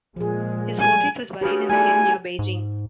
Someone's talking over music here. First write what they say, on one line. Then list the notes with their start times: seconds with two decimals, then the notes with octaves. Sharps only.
His portrait was buried in the hill near Beijing.
0.16 A#2 F3 G#3 G#4
0.79 G3 G#5
1.41 G2 C#3 F#4 G4
1.69 E2 G#2 D3 A3 G#4 G#5
2.39 G#2